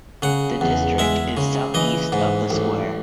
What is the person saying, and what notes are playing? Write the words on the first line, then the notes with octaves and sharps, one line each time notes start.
The district is southeast of the square.
C#3 F#5
E2
G#3 E5
C#3
E3 D#5
G#2
A1